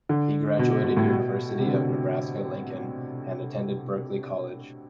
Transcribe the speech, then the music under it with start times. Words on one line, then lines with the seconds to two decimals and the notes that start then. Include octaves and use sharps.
He graduated University of Nebraska-Lincoln and attended Berklee College.
0.09 D3
0.59 B2
0.84 B2
0.97 A2
1.09 B2
1.59 C3
1.66 D3
1.73 C3